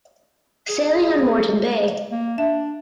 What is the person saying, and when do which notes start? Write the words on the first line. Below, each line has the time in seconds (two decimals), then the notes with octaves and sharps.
Sailing on Moreton Bay.
0.69 G#4
2.12 A#3
2.38 D4 E5